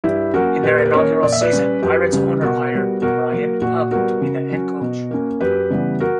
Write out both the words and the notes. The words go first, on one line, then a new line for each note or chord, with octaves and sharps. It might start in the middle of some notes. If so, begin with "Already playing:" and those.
In their inaugural season, Pirates owner hired Brian Hug to be the head coach.
G2 E4 G4
F#3 A#3 C#4 F#4 A#4
A#2 G4 B4
A#4
B4
A#3 C#4 A#4 C#5
A#2 D5
E5
B4 D5
G3 C#4
F#2 G4 B4
C#3 G3
B2 F#4 A#4
G3 B3
B2 F#4 A#4
F#3 A#3
A#2 F#4
G3 B3 F#4 A#4
C#3
F#3 C#4
B2
A#3 C#4
F#2 G4 B4
C#3 E3 G3 B3
F#4 A#4